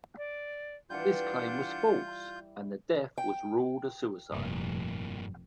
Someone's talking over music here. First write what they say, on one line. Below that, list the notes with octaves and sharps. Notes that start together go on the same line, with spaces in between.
This claim was false, and the death was ruled a suicide.
D5
E3 G3 D4 F4 F#5 G6
G5
F1 G2 A#2 A#3